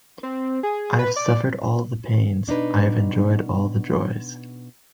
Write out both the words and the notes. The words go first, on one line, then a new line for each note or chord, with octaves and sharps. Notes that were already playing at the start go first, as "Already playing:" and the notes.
I have suffered all the pains, I have enjoyed all the joys.
C4
G#4
B4
D5
B2 D4 D#4 B4